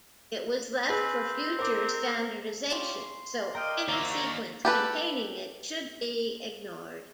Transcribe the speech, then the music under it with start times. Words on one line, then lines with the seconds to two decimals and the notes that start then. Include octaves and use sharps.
It was left for future standardization, so any sequence containing it should be ignored.
0.90 C4 G#4 B4
1.59 A#4 C5 D6
2.71 C#4 F4 G4
2.96 C6
3.55 A#4 D5 D#5 F5 G5
3.88 D#2 A#3 F#4 C5 D5 E5 A#5
4.09 D5 C#6
4.65 G4 A4 B4